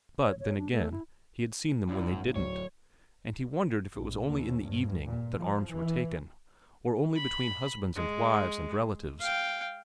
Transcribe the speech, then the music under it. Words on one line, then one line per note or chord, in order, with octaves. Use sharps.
But then, again, he had seen them when they didn't; and he wondered if it was only in the evening that arms were taken, or only between husbands and wives and relatives.
C#5
C#5
D4
A3
E4
F#2 D4 E4
G#1
D1 C#5
A#1
D#2
G2
A#2
F3
E3
B5
G#3
F5 G5